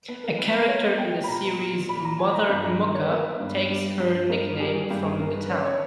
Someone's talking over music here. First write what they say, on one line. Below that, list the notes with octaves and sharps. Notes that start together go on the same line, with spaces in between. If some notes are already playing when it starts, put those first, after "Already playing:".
A character in the series, Mother Mucca, takes her nickname from the town.
B3
A#4
G#3 B4
B4
B3 C#5
D#5
B3 G5
B5
A#2 A#5
A#2
A#2 B5
A#5
A#2 G#5
B5
A#5
G2 B5
A#5
D#3
C#5
B4
B3 A#4
B4
G2
G3
G2
G2 A#4
G3 G#4
A#4
G#4
G2 G4
G#4
G2 A#4
B4
C#4 C#5
C#5